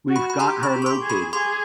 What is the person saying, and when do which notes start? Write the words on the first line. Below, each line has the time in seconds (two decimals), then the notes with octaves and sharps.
We've got her located.
0.08 F#4
0.16 B5 C#6
0.30 B5
0.39 G4 A#5 C6
0.63 B5 C#6
0.71 G4
0.82 C#6
0.86 C6 D6
1.02 G#4
1.10 B5 C#6
1.33 G#4 C6 D6